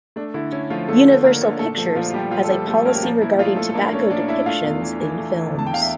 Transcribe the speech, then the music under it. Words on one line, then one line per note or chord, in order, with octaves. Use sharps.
Universal Pictures has a "Policy Regarding Tobacco Depictions in Films".
A3 D4
D3 E4
C#4 E4
F3 A3 F4
D3 A3 A4
D3
D3 A#3 A#4
D3
A#2 A3 A4
F3 A3 A4
A#2 F3 F4
F4
F3 G3 G4
F3 F4
A4
F3 G3 G4
F3 A3 A4
A#3 C#4 A#4
G4
A#2 F3 F4
A#2 E4
F3 A3 F4
A3 A4
A4
A#3 D4 A#4
A3 C#4 C#5
A#2 D4 D5
D4 E4 E5
A3 F4 F5
E2
E3
E3
A3
E3
E2 A5
G5
E2 F5
E5